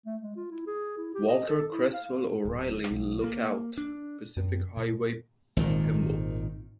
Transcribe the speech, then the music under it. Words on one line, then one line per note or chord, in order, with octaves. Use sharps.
Walter Cresswell O'Reilly lookout, Pacific Highway, Pymble.
A3
G#3
F4
E4
G#4
E4
G4
D#5
A4
E4
F5
D1
B1
A#3
D4
F#2
A#2
G#1 A#2 D#3